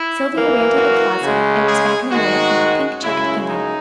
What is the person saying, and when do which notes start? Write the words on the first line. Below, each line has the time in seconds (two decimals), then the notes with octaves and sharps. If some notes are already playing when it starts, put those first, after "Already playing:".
Sylvia ran to the closet and was back in a moment with a pink checked gingham.
Already playing: E4
0.32 F#2 E3 A#3
0.77 F#4
1.22 C#3 G#3
1.67 G#4
2.12 G#2 D#3 G#3 F#4
3.03 F#2 C#3 G#3 E4
3.47 D#4